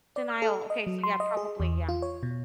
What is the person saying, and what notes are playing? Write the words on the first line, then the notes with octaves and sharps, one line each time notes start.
Denial. Okay, so, yeah, probably, yeah.
D5
F6
A4
D#5
F#3
C6
D#5
G#4
E2
F4
C#5
B2